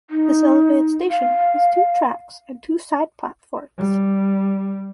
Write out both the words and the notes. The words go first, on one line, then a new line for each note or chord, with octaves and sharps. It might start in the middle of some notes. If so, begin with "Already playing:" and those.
This elevated station has two tracks and two side platforms.
D#4
F5
G3